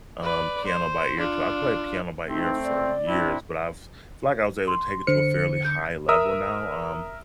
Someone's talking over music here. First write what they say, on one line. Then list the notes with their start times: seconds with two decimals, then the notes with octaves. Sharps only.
um, piano by ear, too. I've played piano by ear for years, but I've it's like I was able to take it to a fairly high level now, um,
0.23 B4 D5
0.65 C5
1.17 D4 F4
2.28 A3 C4 D#4
2.63 D5
3.07 C4 D4 E4
4.68 C6
5.07 D3 C5 C#7
5.65 G6
6.09 A#4 E5 D#6 E6